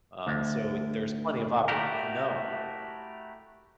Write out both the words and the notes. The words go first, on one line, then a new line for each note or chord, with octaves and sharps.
Um, so there's plenty of opport No.
D2
A3 E4 F#4 G4 A#4